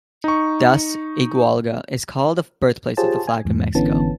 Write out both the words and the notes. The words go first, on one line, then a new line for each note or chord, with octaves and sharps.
Thus, Iguala is called the birthplace of the Flag of Mexico.
D#4 C#6
F4 G4 G#4 C5 C#5 A5
G#5
E2 G#2
G#1 D3 E3 B3 C#4 A5